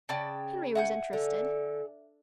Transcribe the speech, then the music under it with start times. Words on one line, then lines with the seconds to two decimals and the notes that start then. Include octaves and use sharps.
Henry was interested.
0.09 C#3 D5 G5 A5
0.75 E5 F#5 G#5 G6
1.13 D3 A4